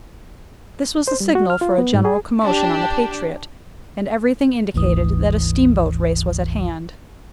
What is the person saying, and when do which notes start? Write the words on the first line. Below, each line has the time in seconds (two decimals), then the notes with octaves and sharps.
This was a signal for a general commotion on the Patriot, and everything indicated that a steamboat race was at hand.
1.08 C5
1.20 G3
1.35 F#4
1.50 F6
1.61 F4
1.78 B3
1.94 G#2
2.05 G#4
2.45 D4 G4
4.74 G1 D2 G#2 E3 D#6